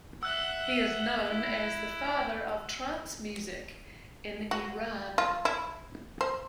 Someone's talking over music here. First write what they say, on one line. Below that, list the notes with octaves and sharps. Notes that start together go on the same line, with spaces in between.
He is known as the father of trance music in Iran.
E5 F#5 E6 F#6
E4
F#4
F4
E4
C5